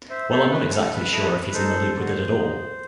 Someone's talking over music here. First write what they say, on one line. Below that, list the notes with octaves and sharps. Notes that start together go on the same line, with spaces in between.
Well I’m not exactly sure if he’s in the loop with it all.
C5 E5
E4 A4 C5
B4
A3 A4
B4
E4 A4 B4 D#5
B4
B4
D#4 A4 C5
F#4 A4
D#4